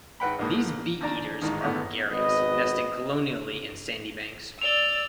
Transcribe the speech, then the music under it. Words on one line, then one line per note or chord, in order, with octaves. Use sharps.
These bee-eaters are gregarious, nesting colonially in sandy banks.
G#1 B4 F#5 G5 B5
A#1 G#2 A#3 D#6
D#2 D4 D5 A#5
A1 G#2 D#3
D3 D#3 A3 B3
G#1 B2 B4 D#5
D5 E6 F7 G7